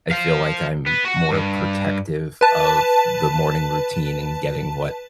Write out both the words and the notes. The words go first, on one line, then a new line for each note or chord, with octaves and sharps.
I feel like I'm more protective of the morning routine and getting what
C5 F5
B3
F#4 F#5
G2
B4 A5